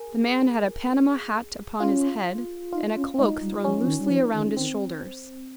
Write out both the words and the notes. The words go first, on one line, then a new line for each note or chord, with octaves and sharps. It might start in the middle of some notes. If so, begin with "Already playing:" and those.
The man had a Panama hat upon his head, and a cloak thrown loosely around his shoulders.
Already playing: G#4 A#4
C#4 F4
D#4 F4
C#4
G#3 D#4
G3
F3 C#4
F3
D#3
G3
F3
D#3
D#3 C4